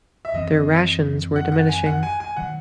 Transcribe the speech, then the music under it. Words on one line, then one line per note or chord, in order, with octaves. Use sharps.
Their rations were diminishing.
E5
F#2 E3 C4 D#5
F#5
F#5
G#5
F#5
G#5
G#5
D#3 F#3 F#5